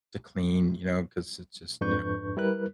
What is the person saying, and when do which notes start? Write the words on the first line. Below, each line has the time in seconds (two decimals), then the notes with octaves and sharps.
to clean, you know, 'cause it just you know?
1.81 F2 G#2 D4 B4 C#6 G6
2.37 G3 E4 A#4 B4 F#6